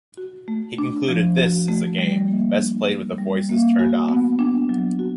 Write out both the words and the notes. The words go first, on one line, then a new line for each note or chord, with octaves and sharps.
He concluded This is a game best played with the voices turned off.
F#4
A3
D4
F3
F#4
A3
G3
A#3
D4
G3
G3
A#3
F#4
B3
D4
F#3
F#4